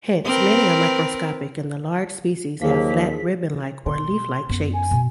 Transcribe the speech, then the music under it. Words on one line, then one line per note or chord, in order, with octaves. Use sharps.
Hence many are microscopic and the large species have flat ribbon-like or leaf-like shapes.
C4 A#4 B4
D#2 F3 F#3 A#3 G#4 B6
B2 C6
F#2 B3
G#5
B2